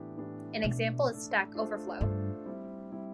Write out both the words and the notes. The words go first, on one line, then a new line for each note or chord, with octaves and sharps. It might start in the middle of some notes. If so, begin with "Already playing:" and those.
An example is Stack Overflow.
Already playing: A2 E3 B3 D4 G4
A2 E3 B3 D4 G4
B2 A3 D4 A4
A3 D4 A4
A3 D4 F4 A4 C5
G2 A3 D4 F4 A4 C5
G3 C4 E4
G3 C4 E4